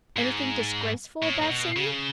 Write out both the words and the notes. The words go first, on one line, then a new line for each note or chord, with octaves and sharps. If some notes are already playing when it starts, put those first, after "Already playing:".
"Anything disgraceful about singing?"
G#2
A2
A2
B2
C#3